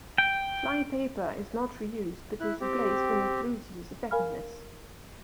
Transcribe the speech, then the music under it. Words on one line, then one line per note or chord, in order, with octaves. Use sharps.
Flypaper is not reused, but is replaced when it loses effectiveness.
G5
E4 F#6
C4 G4
A#4 F5 G#5 B5 F6